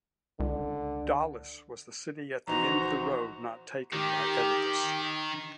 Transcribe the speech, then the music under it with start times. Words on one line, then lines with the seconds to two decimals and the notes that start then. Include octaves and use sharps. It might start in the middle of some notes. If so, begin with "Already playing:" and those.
Daulis was the city at the end of the road not taken by Oedipus.
0.40 C#2 D3
2.47 A#1 E3 D#4 F#4 C5 A#5
3.93 D#3 G4